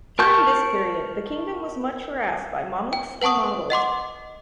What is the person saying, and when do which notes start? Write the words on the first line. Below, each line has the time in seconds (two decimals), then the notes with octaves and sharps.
During this period, the kingdom was much harassed by Mamluks and Mongols.
0.19 A#4 A5 C#6 G6
2.93 G5
3.22 B4 F#5 A5 C#6 D#6
3.70 D#5 F#5 C6 D6